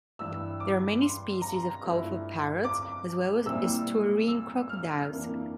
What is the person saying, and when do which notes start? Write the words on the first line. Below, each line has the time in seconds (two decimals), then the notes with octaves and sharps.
There are many species of colourful parrots as well as estuarine crocodiles.
0.19 G2 E3 G3 E6
0.60 D6
1.02 C6
1.42 A#5
1.83 G2 F3 A3 E4
2.65 D6
3.46 A#2 G3 C4 E4 E6
4.28 E6
4.69 F6
5.10 F2 E3 A#3 D4